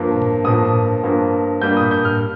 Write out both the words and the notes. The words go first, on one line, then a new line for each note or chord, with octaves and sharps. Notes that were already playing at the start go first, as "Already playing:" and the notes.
Very passionate. Passionate.
Already playing: G2 F3 A#3
G2 F3 A#3 D#6
G2 F3 A#3
G2 G3 A#3 G6
D#6
G6
F6